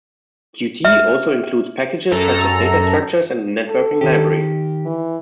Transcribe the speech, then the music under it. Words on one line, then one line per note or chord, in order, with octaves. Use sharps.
Qt also includes packages such as data structures and a networking library.
E5 F6
F#2 A4 A#5
A4
D#3 G4
E3